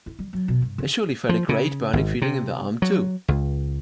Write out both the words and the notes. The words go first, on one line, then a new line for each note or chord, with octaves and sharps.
They surely felt a great burning feeling in the arm, too!
E4
G3
F#3
B2
G2
C#3
F3
C#3
G#1
C3
F#3
C#2